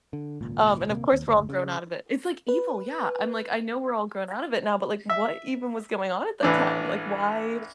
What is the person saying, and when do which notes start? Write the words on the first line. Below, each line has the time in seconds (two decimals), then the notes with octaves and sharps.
Um, and of course we're all grown out of it. It's like evil, yeah, I'm like, "I know we're all grown out of it now, but like, what even was going on at that time?" Like, why
0.13 D3
0.41 G#1 C#2 A#2
0.88 D#1 C3 A#3
1.12 D#2
1.27 F#1 D2
1.49 C#3
2.48 B4
5.10 E5
6.43 A1 E3 D4